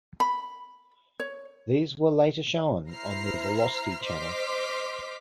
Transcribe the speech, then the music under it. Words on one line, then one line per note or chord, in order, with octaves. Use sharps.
These were later shown on the Velocity channel.
B5
C#5
E4 C5 A#5 F6 C7
C5 D#5 C6 D6 F6 B6